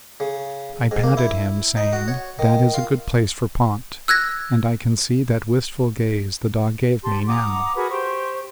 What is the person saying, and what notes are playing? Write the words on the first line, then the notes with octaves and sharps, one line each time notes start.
I patted him saying that is a good place for Pont, and I can see that wistful gaze the dog gave me, now.
C#3
G#2
A#3
E4
D#4
F#4
C#5
D#3
F4
E6 F#6 G#6 A#6
G4 A5 C6
F#5 A#5 D6 D#6
F#4 G#4 A#4 B4
G4 C5 C6 C#6